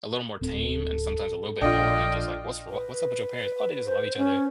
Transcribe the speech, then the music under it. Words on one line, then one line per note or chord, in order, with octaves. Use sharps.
a little more tame and sometimes a little bit more, and I'm just like, "What's wr what's up with your parents?" "Oh, they just love each other,"
D1 C4 A4
A#1 D4 F4 D#5 G5
B4
C5
C#4